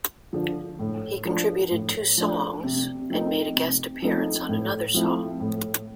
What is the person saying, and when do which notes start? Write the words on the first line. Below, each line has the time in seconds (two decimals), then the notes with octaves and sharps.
He contributed two songs, and made a guest appearance on another song.
0.33 D3 F3
0.79 A2
1.25 F3 A3 D4
1.71 A2
2.18 F3 A3 D4
2.64 C3
3.10 F3 A3 C4 D#4
3.56 C3
4.02 F3 A3 C4 D#4
4.49 A2
4.94 F3 A3 C4 E4
5.40 A2